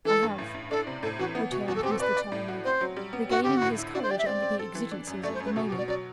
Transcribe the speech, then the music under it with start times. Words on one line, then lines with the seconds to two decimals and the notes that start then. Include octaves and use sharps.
"I have," returned Mr. Challoner, regaining his courage under the exigencies of the moment.
0.05 E3 A4
0.22 G2
0.38 A2
0.54 A2
0.71 D4 A4
0.87 C3
1.03 A2 A4
1.19 E3 F#4
1.35 B3 E4
1.51 B2 F#4
1.68 E2 F#4
1.76 A4
1.83 C4 G4
1.91 A4
2.00 B4 D5
2.17 D5
2.32 A2
2.48 F#4
2.65 C4 C5
2.81 F#3
2.97 G3
3.13 B3
3.29 G2 F#4
3.43 D3 G4
3.57 A2 F#4
3.78 E4
3.94 D4 F#4
4.03 C5
4.11 G4 D5
4.18 E5
4.26 C4 D5
4.42 C4
4.59 A4
4.75 E3
4.91 D4
5.07 F#2
5.24 A3 D5
5.34 C5
5.40 F#2 B4
5.56 B2 A4
5.67 G4
5.72 B2
5.78 D5
5.88 F#3 D5